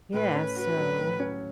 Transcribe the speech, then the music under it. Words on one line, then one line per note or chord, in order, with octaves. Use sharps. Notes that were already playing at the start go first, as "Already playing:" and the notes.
Yeah, so
A2 B4
C#4
F#4 B4
F#3
A2
C#4